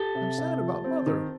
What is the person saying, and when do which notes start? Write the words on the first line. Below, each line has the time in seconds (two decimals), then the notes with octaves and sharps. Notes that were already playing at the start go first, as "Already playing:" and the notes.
"I am sad about mother."
Already playing: G4 A4
0.15 C3
0.38 C3
0.61 F3
0.84 C4
1.06 D#3